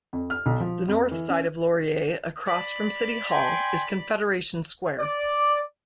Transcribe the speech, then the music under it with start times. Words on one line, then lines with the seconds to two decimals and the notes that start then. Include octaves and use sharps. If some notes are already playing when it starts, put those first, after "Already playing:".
The north side of Laurier, across from City Hall, is Confederation Square.
0.13 F2
0.30 F6
0.46 B1
0.60 F3
0.88 F2
1.12 E3
1.29 C#4
2.46 D5 B5
3.31 G5 G#5 C6
5.00 D5